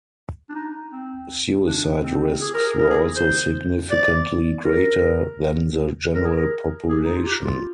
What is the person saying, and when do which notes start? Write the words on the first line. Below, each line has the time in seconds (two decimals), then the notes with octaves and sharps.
Suicide risks were also significantly greater than the general population.
0.49 D4
0.55 D#4
0.92 C4
1.67 D4
2.03 C4
2.41 G#4
2.54 A#4
2.66 G#4
2.78 A#4
2.90 G#4
3.16 C5
3.91 D5
4.65 A#4
6.15 A#4
6.25 G#4
6.36 A#4
6.90 G#4
7.06 D#4
7.16 F4
7.26 G4
7.45 F4